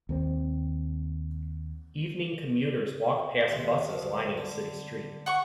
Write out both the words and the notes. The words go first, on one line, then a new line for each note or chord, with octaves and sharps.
Evening commuters walk past buses lining a city street.
D#2 A#3 C4
D#2 G#3
D2 F3
D3
F#5 C#6